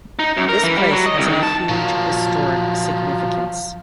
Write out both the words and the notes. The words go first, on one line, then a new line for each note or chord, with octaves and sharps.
This place has a huge historic significance.
D#4
F#2
A#4
E3
G3
F#3
D#5
C2
D#3
A5
A#2 F3 F#3